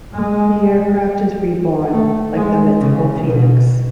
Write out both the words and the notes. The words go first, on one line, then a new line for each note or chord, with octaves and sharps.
The aircraft is reborn, like the mythical Phoenix.
G#3
A3
G#3
C#3
B2